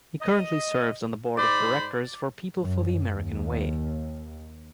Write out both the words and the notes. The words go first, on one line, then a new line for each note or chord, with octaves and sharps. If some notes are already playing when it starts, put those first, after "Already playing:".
He currently serves on the Board of Directors for People for the American Way.
D#5
G#2 C5 D5 B5
F#2
D#2